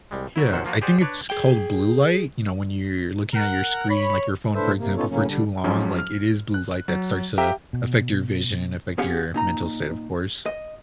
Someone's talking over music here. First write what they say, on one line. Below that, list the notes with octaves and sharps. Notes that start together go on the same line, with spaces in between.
Yeah. I think it's called blue light, you know, when you're looking at your screen, like your phone, for example, for too long, like, it is blue light that starts to affect your vision and affect your mental state, of course.
C2 G3 G#3
F#3 E4
D#2 A#2 F#3 C5 F#5
F3 A#3 F4 F#4
G4 G#4 C5 D5 F#5
D4 B4 C#5 D5
G#4 G5
A#4 F#5
C#5 B5
A2 D4 A4 B4 C5 E5
C3 A#3
B3 C#4 D#4 F4 A4 C#5
A2 C#3 F#3 A#3 C#4
D3 G3 D4
F2 G#2 F3 F#3 C#4
F6
F#6
F#3
G4 E5 F5 G5 A#5
B2
B3 C#4 G4 G#4 F5 F#5
A#2 D#4 A#5
D#5